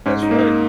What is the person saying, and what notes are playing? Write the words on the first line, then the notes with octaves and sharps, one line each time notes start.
That's right
G#2 C#4
D#4
A#3
D#4